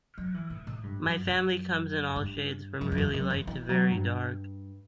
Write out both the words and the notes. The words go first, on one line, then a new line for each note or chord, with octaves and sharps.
My family comes in all shades from really light to very dark.
F#3
E3
A2
A2
G2
F#2
F#2
G2
F#2
F#2
E2
F#2
E3
E3
F#3
G2